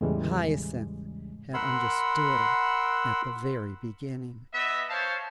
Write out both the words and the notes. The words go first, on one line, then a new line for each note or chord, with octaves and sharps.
Hyacinth had understood at the very beginning.
E2 A2 C#3 E3 G3 G#3
A#4 F#5 B5 C6 E6
B3 D#5 E5
C5 C#5 F5 A5